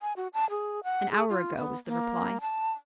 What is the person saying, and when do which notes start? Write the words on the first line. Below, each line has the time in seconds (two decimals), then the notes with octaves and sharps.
"An hour ago," was the reply.
0.01 G#5
0.16 F#4
0.34 A5
0.50 G#4
0.84 F#5
1.11 G#4
1.29 F4
1.56 B3
1.87 A#3
2.41 A5